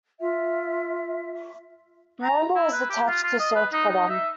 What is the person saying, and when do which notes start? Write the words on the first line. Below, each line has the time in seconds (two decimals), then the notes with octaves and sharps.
"Bramble" was detached to search for them.
0.19 F4 E5
2.23 A#5
2.55 E4
2.72 B4
2.90 G4
3.07 F4
3.23 F4
3.39 D#5
3.55 B4
3.73 D#4
3.90 D#4
4.09 E5